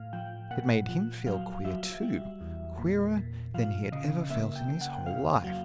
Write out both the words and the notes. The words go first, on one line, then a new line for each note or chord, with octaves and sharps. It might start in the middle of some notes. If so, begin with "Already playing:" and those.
It made him feel queer, too--queerer than he had ever felt in his whole life.
Already playing: A2 F5
F3 G5
A#2 F#5
F3
F#3 F5
F#3 E5
G3
E2
A#2
A#2
F3 F5
C#3 D#5
A#3 E5
G5
C#3
F#5
F2 F5
F#3